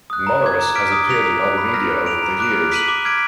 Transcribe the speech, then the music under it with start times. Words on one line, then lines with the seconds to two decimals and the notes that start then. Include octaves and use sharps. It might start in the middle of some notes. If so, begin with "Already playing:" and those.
Morris has appeared in other media over the years.
0.10 D#6 F#6
0.27 A#5
0.43 D6 G#6
0.60 A#5
0.75 D6 F6 B6 D7
0.92 D#6
1.08 F#6 B6 D7 F7
1.24 A#5
1.41 D6 F#6
1.57 B5
1.74 F6 A#6
1.90 F#6
2.06 D7 F7
2.23 A#5
2.39 D6 F#6 D7
2.55 F6
2.72 B6 D#7 F#7
2.88 D6
3.05 F6 G#6 B6 D7